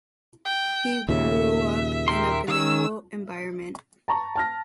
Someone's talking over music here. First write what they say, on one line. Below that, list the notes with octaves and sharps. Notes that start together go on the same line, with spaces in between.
He grew up in a bilingual environment.
G5
D#2 A#2 C#3 E5
G4 A#4 C6
D#3 C#4 E6
A5 A#5 C#6
A5 F6 A#6